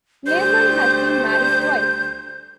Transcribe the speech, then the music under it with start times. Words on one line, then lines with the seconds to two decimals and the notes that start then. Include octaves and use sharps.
Lemann has been married twice.
0.27 D2 G3 C5 G6